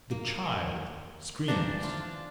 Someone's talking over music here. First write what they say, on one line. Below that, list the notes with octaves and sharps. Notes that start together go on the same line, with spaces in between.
The child screams.
A#3
E3 F3 D4 A#5
F4